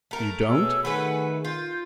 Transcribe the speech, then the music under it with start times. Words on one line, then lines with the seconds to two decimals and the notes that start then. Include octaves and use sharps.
"You don't?"
0.11 A3 A#4
0.48 B2 G#4 C#5 E6
0.85 D#3 A3 G#4 B4 F#5 G#5 B5
1.45 F4 G6